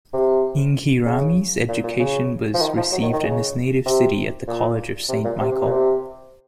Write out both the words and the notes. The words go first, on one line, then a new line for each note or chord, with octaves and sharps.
Inghirami's education was received in his native city at the College of Saint Michael.
C3
C#3
A#2
A#2
C#3
F3
D#3
F3
F#3
D#3
D#3
C#3
C3
A#2
C3
A#2
C3
C3
C3
A#2
C3